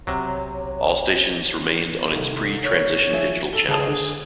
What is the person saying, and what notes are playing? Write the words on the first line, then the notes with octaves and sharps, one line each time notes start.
All stations remained on its pre-transition digital channels.
B1 C3 F#3 C#5
C2 D#3 A3
C#5
F3 G#4 E5
A4 G7
C#2 G#4 A5
D3